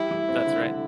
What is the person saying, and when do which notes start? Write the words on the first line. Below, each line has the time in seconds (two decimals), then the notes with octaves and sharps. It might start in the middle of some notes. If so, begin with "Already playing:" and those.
That's right.
Already playing: G3 E4
0.11 G3
0.28 C4
0.45 D3
0.64 D3